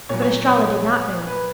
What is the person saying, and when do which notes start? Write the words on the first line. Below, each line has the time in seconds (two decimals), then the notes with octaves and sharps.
But Estralla did not move.
0.09 A#2 F#3 C#5
0.22 C#5
0.48 C#5
1.27 B4